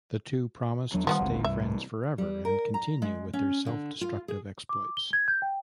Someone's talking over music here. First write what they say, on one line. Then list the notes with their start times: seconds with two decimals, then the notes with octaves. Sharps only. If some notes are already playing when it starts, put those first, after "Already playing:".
The two promise to stay friends forever and continue with their self-destructive exploits.
0.94 E2 F#3 D4
1.07 D#3 F3 G3 B3 F#5
1.21 G#1 D2 G#2
1.44 C2 G2 E5
2.18 G3
2.45 A#4
2.74 A#5
3.02 G#3
3.33 C#4
3.66 D3
4.01 F4
4.28 G#4
4.69 D6
4.97 G7
5.13 G#6
5.28 G6
5.42 G5